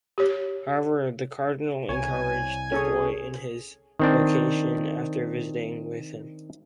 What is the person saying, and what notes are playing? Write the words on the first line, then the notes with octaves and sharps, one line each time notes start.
However, the Cardinal encouraged the boy in his vocation after visiting with him.
G4 C#5
C2 C#5 G#5
C#4 G#4 A4 C#5
D#3 C4 D4